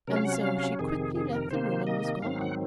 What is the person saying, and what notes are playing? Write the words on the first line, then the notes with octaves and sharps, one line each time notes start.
And so she quickly left the room and was gone.
C3 F#3 C#4 A#4
F5
F#5
F5
F2 C3 D#3 G#4
G#4
A#4
C3 D#3 A#3 C5
D#5
G#2 D#3 F#3 C4 F5
F#5